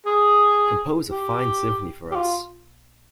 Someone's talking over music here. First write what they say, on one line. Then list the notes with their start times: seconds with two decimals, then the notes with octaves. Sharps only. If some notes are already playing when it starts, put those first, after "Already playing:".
Compose a fine symphony for us!
0.06 G#4
1.11 G4
2.11 G4
2.15 F4